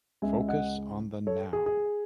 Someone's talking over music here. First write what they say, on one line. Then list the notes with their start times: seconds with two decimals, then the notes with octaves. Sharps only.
Focus on the now.
0.22 C#2 C#3 G#3 E5 G#5
0.48 D#5 F#5
1.27 A4 C#5
1.53 G#4
1.66 G#4